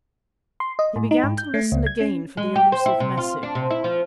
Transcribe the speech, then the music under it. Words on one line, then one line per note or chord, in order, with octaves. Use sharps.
He began to listen again for the elusive message.
C6
D#5
A2
D#4
G#2
G6
A3
C#2
G#6
C#4
G#3
G4
C5
E4
C3
F4
D4
C3
E4
F3